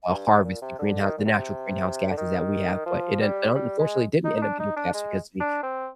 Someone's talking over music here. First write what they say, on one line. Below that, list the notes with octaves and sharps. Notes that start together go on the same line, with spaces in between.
uh, harvest the greenhouse the natural greenhouse gases that we have, but it un un unfortunately didn't end up getting passed because the
G2
G#2
C3
A#2
C3
D3
D#3
A#2
C3
D3
D#3
F3
G3
G3
G#3
D#4
D#4
D4
D#4
D4
G#3
D4
C4